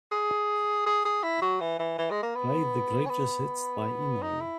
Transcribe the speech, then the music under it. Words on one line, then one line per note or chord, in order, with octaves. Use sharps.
Play the greatest hits by Inoj.
G#4
G#4
G#4
E4
F#3
E3
E3
E3
G#3
A#3
B3
C#4
B3
D#4
E4